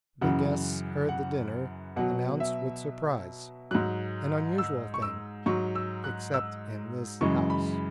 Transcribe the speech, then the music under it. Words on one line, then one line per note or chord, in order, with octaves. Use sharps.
The guests heard the dinner announced with surprise,--an unusual thing, except in this house.
F#2 C#3 E3 F#5
F#5
B2 F#3 F#5
E5
G#2 F#3 F#6
E6
C#6
E6
G#2 F#3 C#6
E6
F#6
E6
F#2 C#3 E3 G#3 C#6
B5